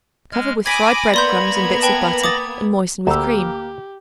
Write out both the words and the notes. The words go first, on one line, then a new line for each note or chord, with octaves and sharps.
Cover with fried bread-crumbs and bits of butter, and moisten with cream.
G#3 F6
G#5 B5 D6 D#6 G#6 A#6 B6
A#3 B3 D5 C6 G6 G#6
B4 G5 A5
D6 D#6 A6
D2 A#3 G4 A#5 B5 E6